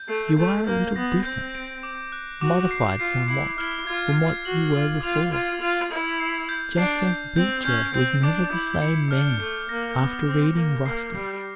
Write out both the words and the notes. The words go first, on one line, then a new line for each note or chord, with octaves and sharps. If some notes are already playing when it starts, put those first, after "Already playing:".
You are a little different,--modified somewhat from what you were before,--just as Beecher was never the same man after reading Ruskin.
Already playing: G6
A3 C7
A3 G6
A#3 G6
B3 A#6
C4 G6
D7
D6
F#6
F#4 D6
C7
F4 C7
E4 C7
E4 F6
F4 G#6
G#6
F#4 F#7
F4 F#7
F4 F7
F4 G#6
F4 F7
E4 G#6
C7
G6
D4 C7
G6
C4 G6
C#4 G6
C4 G6
D4 D6
E4 D6
E4 C#7
D4 F6
A3 C#7
A#3 A#6
B3 D6
C4 D6
A#3 A#6
A#3 C7
G3 C7